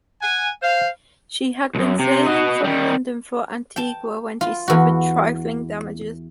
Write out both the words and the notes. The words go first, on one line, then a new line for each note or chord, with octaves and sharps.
She had been sailing from London for Antigua when she suffered trifling damages.
F#5 G#5
C5 F5
B1 F#2
C3
F#4 D#5
D#3 G3
G5 A5
F4
E2 F#4